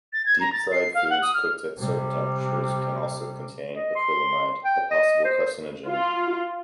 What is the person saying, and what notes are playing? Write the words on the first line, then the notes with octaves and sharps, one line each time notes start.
Deep-fried foods cooked at certain temperatures can also contain acrylamide, a possible carcinogen.
A6
G#6
A#5
A6
C7
F5
F#5
D#6
F6
C3 G3
D#5
C6
G5
D#5
C5
F4